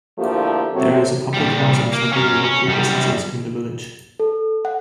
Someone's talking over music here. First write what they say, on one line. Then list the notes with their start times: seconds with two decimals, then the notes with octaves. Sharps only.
There is a public house and several local businesses in the village.
0.18 D2 F3 A3 A#3 E4 G4
0.73 C3 F#3 A3 C4
1.34 A#2 G3
1.93 A#3
2.13 C#4 A#4
2.44 C#4
2.67 F#2 G3
4.20 A4
4.65 F#5